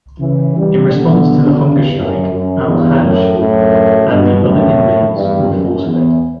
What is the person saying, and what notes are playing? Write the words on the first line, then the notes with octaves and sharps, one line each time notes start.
In response to the hunger strike, Al Hajj and the other inmates were force-fed.
C#3 E3
E3 G3
B2 D3
E2 G2
F#2
F#2
E2 G2
F#2 A2
F#2 A2
G2 B2
F#2 A2
E2 G2
F#2
E2